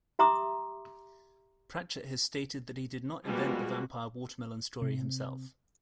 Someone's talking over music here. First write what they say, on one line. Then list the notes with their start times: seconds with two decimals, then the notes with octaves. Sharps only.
Pratchett has stated that he did not invent the vampire watermelon story himself.
0.19 G4 E5 A#5 C6 D6 D#6
3.24 F3 G3 G#3 A#3 B3 F#4
4.82 C3